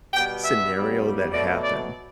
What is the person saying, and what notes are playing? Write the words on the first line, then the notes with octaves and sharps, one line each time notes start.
scenario that happened.
B2 G3 B3 G5
E5
F#2 C#3 G3 B3
B2 F#3 A3 D5
D5